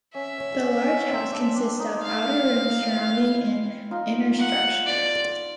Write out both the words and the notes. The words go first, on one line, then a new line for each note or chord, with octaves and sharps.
The large house consists of outer rooms surrounding an inner structure.
C#4 E5
C#4
C#4
C#4
C4
D4
D4
D#4
F5
E4
D#4 F4
F#5
D5